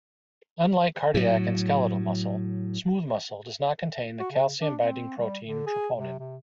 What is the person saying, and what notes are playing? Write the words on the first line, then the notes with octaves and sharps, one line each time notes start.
Unlike cardiac and skeletal muscle, smooth muscle does not contain the calcium-binding protein troponin.
A2 F#3
F#4
C#3
D4
C4
G3
D3
G#4
C3
C3